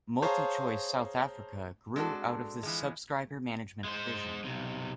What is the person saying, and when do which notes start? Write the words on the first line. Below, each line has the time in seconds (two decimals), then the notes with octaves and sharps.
MultiChoice South Africa grew out of this subscriber management division.
0.22 G#4 C5 C#5 F5 A5 A#5
1.96 G#3 C4 D4 F4 F#4 A4
2.63 E3 F3 G#3
3.84 G#3 C5
4.44 B1 C3